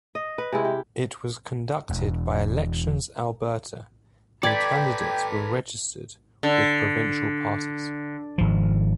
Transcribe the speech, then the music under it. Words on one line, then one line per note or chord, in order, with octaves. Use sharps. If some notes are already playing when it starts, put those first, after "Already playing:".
It was conducted by Elections Alberta, and candidates were registered with provincial parties.
D#5
B4
C3 G#3 E4
G4
E1
A4 B4 D5 G5 D6 G#6 B6
D3
G#1 F3